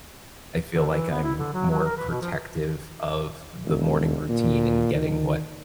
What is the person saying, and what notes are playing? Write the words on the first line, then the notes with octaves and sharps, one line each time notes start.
I feel like I'm more protective of the morning routine and getting what
D3
E3
B3
E4
D3
F#3
F#3
A#4
B4
B2
F3
E1
A#2
D#3